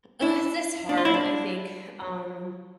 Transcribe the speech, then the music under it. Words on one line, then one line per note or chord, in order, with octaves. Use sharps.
Uh, it's just hard, I think. Um
E4
D4
F4
E4
D4